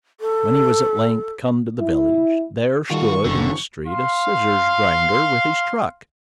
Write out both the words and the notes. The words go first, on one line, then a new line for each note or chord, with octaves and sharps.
When he was at length come to the village, there stood in the street a scissors-grinder with his truck.
A4
E4
D#3 G3 F4 F#4 A4 C#6
F#1 D3
F5 C6